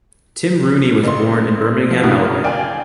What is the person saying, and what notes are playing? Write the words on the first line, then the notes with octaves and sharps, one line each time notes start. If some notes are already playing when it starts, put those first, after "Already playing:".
Tim Rooney was born in Birmingham, Alabama.
A1 C6
F3
G2 C#3 E4 F#4 D#6 F6
D5 F5 G5 G#5